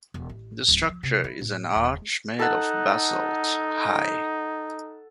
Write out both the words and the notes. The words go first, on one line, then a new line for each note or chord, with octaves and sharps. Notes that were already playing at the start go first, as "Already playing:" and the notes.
The structure is an arch made of basalt, high.
E1
A1
D1
F3
C3
E4
A2
D#1
D#4 A4 F#5